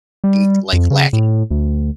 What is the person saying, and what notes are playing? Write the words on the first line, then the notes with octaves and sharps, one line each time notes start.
n like, lacking.
G3
F2
C#3
A2
D2